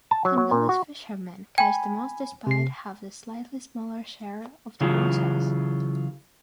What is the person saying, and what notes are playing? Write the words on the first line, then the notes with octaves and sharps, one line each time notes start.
Congolese fishermen catch the most despite have the slightly smaller share of the waters.
A5
F#3
F#3
A#2
F#4
G5 G#5 B5
C3 C7
C#3 E3 F#3 F4 G#4